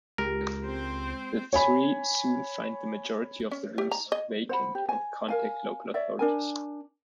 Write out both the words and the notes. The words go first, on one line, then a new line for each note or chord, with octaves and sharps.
The three soon find the majority of the rooms vacant and contact local authorities.
C#2 G#3 G4 A#4
C4 C5
C#5 G#5 B5
C#4
G4
A#5
D#5
C5 F#5 B5
G4
G#5
A#4 F5 G#5
C#5 D5 E5
D4 A#4 G#5